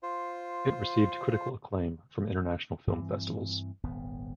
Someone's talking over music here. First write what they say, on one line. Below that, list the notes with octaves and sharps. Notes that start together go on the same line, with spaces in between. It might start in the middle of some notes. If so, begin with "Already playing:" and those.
It received critical acclaim from international film festivals.
F4 C5
G2 E3 C4
D#1 G#1 B3